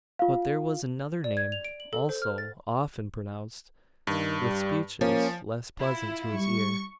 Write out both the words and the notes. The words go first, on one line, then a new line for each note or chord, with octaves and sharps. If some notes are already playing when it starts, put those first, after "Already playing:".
But there was another name also often pronounced--with speeches less pleasant to his ear.
F4 F5
D5
G#6
F7
D7
F#7
A4
C5
F6
A6
G2 D#3
G3
F3 A#3 C#4
E4 F4
G3 C#6